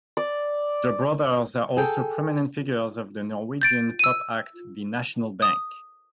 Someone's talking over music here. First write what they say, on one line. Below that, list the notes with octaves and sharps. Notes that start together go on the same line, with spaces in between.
The brothers are also prominent figures of the Norwegian pop act The National Bank.
D5
G#4 A4 G5
G6 A6 D7
E6 D#7
D#6